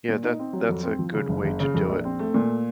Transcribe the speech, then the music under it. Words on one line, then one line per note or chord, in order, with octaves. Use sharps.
Yeah, that that's a good way to do it.
A#2
D#4
C4
F#3
F2
C4
F3
C#3
F#1
F#1
C#3
F2
A#1
C4
A3
A#2